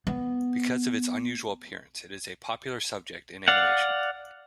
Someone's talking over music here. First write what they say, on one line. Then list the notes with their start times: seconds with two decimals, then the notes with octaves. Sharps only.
Because of its unusual appearance, it is a popular subject in animation.
0.07 B3
3.48 D5 F5 F#5